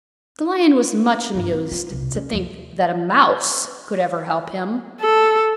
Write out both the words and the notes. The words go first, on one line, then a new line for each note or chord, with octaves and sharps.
The Lion was much amused to think that a Mouse could ever help him.
G2 F4
C4 D#4
F4
E1 C2
C#4
D#2 F3
A4